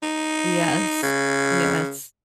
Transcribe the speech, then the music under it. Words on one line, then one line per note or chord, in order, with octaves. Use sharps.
Yes. Yes.
D#4
C#3